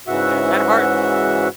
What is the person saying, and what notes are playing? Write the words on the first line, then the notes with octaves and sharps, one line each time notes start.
And that hard
G#2 C#3 E3 F#4 E5 F#5